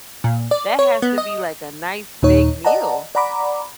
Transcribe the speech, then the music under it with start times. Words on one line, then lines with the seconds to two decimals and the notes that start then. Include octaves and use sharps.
that has to be, like, a nice big meal.
0.24 A#2
0.51 D5
0.79 C#5
1.02 B3
1.18 D#5
2.22 D#2 A#2 D#4 C#5
2.65 D5 D#5 F#5 A5 A#5
3.15 D5 F#5 A#5 B5 D6